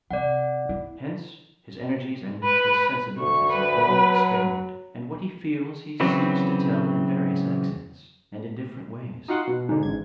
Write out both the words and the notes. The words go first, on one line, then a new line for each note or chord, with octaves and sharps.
Hence, his energies and his sensibilities are all expanded, and what he feels he seeks to tell in various accents, and in different ways.
C3 D5 F#5
E4
B4
D2 C#6
B4
F#3
C#3 E3 F#3 C4
D#4 F4 F#4 F5 F#5 C6
B2
G#2 D3
A1 G#6